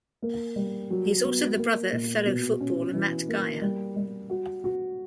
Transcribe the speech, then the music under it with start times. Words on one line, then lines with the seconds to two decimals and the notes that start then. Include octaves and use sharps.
He is also the brother of fellow footballer Matt Geyer.
0.22 A#3
0.56 G3
0.90 F#3
1.24 B3
1.58 A#3
1.92 A#2
2.26 B2
2.61 C#4
2.94 E3
3.28 A#3
3.62 G3
3.96 G3
4.30 F#4
4.64 F#4